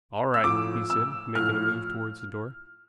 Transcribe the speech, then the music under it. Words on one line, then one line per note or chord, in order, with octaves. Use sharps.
"All right," he said, making a move towards the door.
E6
A2 F3 D6
E6
A2 F3 F6